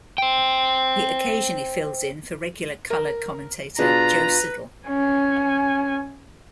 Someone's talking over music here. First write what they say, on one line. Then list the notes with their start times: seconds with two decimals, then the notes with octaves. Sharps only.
He occasionally fills in for regular colour commentator Joe Siddall.
0.18 C5 G5
2.90 A#4
3.78 B2 D4 F4 G#4 B4 A#5
4.88 C#4 G#5